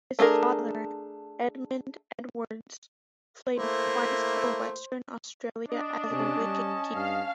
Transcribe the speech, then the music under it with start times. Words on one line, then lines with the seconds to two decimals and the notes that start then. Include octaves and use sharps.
His father, Edmund Edwards, played twice for Western Australia as a wicket-keeper.
0.19 A3 D4 G#4 A#4
3.58 A3 A#3 E4 C5
5.70 D4 D#5
6.11 C3 C#4 A5
6.39 G3
6.95 G2 F5